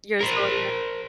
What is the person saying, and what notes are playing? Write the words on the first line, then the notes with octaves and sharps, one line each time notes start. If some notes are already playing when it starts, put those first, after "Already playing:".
Your zodiac
A#4 C5